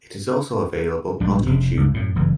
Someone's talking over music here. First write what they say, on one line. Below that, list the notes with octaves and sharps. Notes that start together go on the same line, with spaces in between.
It is also available on YouTube.
A#1 G3 G#3 D4
F1 C3
C#2 G2
F#2 A2
F#1 G2 E3